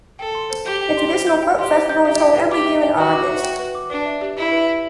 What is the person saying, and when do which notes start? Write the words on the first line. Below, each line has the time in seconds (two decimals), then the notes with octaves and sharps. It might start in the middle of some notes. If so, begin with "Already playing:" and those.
A traditional folk festival is held every year in August.
0.19 A4 G5
0.35 C6
0.50 C5
0.65 G4 G6
0.81 G5
0.97 C6
1.12 C5
1.27 G6
1.43 G5
1.58 G4 C6
1.73 C5
1.89 G6
2.05 G4 E5
2.20 G5
2.35 B4
2.51 G4 D6
2.66 E5
2.82 G5
2.97 F#4 B4
3.13 D6
3.28 E5
3.44 G5
3.59 B4
3.75 D6
3.90 D4 B4
4.06 E5
4.21 G4
4.37 E4 G4
4.52 B4
4.67 E5